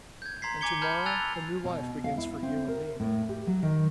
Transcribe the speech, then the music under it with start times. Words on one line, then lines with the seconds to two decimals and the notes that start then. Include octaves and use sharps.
"And to-morrow a new life begins for you and me."
0.22 G6 G#6
0.42 A#5 C6 G#6 B6 C7
0.61 G#5 A#5 D6 G#6 C#7 G7
0.81 A5 B5 F6 G6 G#6
1.06 G#5 E6 F#6 G#6 A6 F7
1.64 B2
2.04 F5
2.18 E4
2.43 C4
2.68 A#4
3.00 A2
3.29 G4
3.47 F#3
3.63 D#3